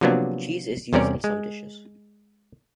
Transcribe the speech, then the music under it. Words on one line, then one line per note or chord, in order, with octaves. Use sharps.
Cheese is used in some dishes.
C3 F3 F#3 A#3 B3 D4
E2 C3 G3 C#4 A#4 D5
G#3